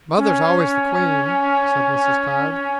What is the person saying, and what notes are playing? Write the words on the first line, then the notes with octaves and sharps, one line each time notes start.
"Mother's always the queen," said Mrs. Todd.
C#4